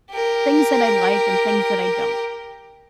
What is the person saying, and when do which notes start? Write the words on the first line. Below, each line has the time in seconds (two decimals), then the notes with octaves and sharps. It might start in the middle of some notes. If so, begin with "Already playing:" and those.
things that I like and things that I don't.
0.11 G4 A#4